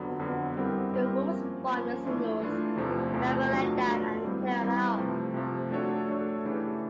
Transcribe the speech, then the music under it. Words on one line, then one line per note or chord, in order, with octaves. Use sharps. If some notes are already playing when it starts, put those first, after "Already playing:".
"The Wolf" spawned the singles "Never Let Down" and "Tear It Up".
Already playing: F2 D3 F#3 B3
F2 D3 F#3 B3
G3 C4 E4 G4 A#4
G3 C4 E4 G4 A#4
F3 A#3 C#4
F3 A#3 C#4
E3 A3 D4 F4
E3 A3 D4 F4
E2 C3 F3 A3
E2 C3 F3 A3
B2 F#3 A3 D4 F4
B2 F#3 A3 D4 F4
E3 G3 C4
E3 G3 C4
C3 F3 A3
C3 F3 A3
A3 D4 F#4 A4 C#5
A3 D4 F#4 A4 C#5
C#3 E3 A3 D4 G4